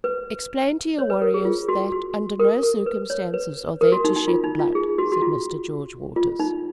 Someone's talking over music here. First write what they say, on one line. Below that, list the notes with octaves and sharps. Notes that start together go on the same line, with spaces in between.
"Explain to your warriors that, under no circumstances, are they to shed blood," said Mr. George Waters.
B4
C#5
B4
A#4
G#4
F4
F#4
F#4
A#4
A#4
B4
C#5
B4
A#4
F#4
D#4
D#4
F4
D#4
F4
G#4
F#4
F#4
F4
F4
D#4